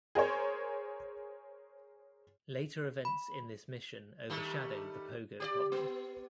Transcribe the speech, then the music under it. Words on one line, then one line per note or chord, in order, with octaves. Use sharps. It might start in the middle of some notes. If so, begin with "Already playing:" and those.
Later events in this mission overshadowed the pogo problem.
G#4 A#4 C5 C#5
B5
D#3 G3 A3
G4 C#5 D5
B3